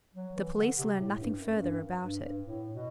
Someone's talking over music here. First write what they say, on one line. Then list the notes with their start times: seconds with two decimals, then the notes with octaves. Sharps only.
The police learned nothing further about it.
0.15 F#3
0.35 E3
0.56 D3
0.77 C3
0.98 A2
1.19 G2
1.39 F#2
1.51 F#2
1.60 G2
2.03 G2
2.24 G2
2.44 A2
2.72 B2